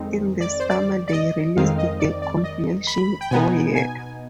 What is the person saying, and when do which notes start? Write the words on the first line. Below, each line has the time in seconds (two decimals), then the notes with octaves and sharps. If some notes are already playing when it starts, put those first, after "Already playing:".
In the summer, they released the compilation O, Yeah!
Already playing: F2 D#3 G#3 C4 D#4
0.41 D5
0.60 C5
0.69 D5
1.08 D5
1.13 D#5
1.56 F2 D#3 G#3 C4 D#4 F5
1.78 D#5
2.00 D5
2.22 D5
2.44 D#5
2.87 B5
3.21 G5
3.31 B2 B3 D#4 G#5
3.75 G#5